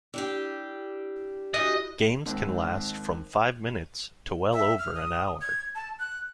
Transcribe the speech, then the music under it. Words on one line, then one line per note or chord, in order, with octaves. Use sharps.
Games can last from five minutes to well over an hour.
G3 D4 E4 G4
E3 D4 E4 F#4 G4 D#5
D#2 G#2 C4
E5
F6
D#6
G#6
A5
F#6